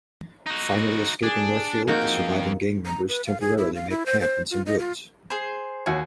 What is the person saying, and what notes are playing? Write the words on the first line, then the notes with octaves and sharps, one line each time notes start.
Finally escaping Northfield, the surviving gang members temporarily make camp in some woods.
D#4 F#4
D4 G#4
F2 A#3 D#4 F#4 G5
A#5
B4
F5
G#4
E4
F5
E4
C5
C5
F4
D#5
F4
G#4 C5
D#2 F#4 G#4 C#5